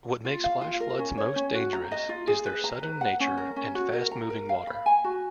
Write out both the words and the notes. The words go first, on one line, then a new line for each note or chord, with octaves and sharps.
What makes flash floods most dangerous is their sudden nature and fast-moving water.
F4
F5
F4
A#4
C#4
C#5
C#4
F#4
A#5
D#5
F4
G#4
B4
A#5
B4
F#5
C#4
A#4
C#4
F#4
A#4
A#5
A#4
F5
B5
G#5
F#4